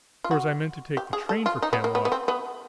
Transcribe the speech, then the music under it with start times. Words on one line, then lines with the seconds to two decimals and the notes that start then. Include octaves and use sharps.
Of course, I meant to take the train for Camelot.
0.24 F4
0.31 F#4
0.97 G4
1.13 G#4
1.29 A4
1.46 F4
1.62 D#4
1.73 B3
1.84 A#3
1.95 B3
2.05 B3
2.12 C4
2.28 B3